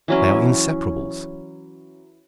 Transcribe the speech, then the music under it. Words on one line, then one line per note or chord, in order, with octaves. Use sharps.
They are inseparables.
E3 F#3 C#4